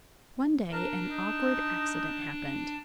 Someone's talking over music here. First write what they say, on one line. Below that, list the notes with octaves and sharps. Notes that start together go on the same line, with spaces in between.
One day an awkward accident happened.
D4 A#4 A5
D#4